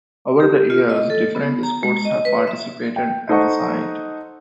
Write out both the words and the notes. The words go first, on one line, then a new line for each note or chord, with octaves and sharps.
Over the years different sports have participated at the site.
G4
F4
D#5
A4
B3
A#5
G#3
D#5
B4
E5
G5
D#4 A4 C5 D#5 F#5 C#6